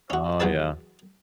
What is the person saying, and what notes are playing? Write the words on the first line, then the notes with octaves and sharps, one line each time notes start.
Oh, yeah.
C#4 F#4
E2 F#3 G#4 B4 A5